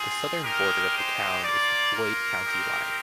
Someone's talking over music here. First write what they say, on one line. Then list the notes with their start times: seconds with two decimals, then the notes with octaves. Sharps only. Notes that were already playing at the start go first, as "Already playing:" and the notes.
The southern border of the town is the Floyd County line.
Already playing: C4 F4 G#4
0.43 G#3 D#4 G4 A#4
0.94 C5
1.44 A#3 F4 D5
1.93 A#4
2.44 C4 D#4 G4